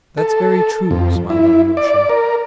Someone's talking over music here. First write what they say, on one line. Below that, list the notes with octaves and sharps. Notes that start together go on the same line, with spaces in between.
"That's very true," smiled Alyosha.
A4
F2
E4
D5
A#4